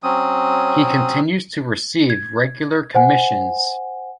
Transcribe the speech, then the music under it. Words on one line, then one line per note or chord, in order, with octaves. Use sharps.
He continues to receive regular commissions.
F#3 C4 C#4 D#6
G#6
C5 F#5 G#5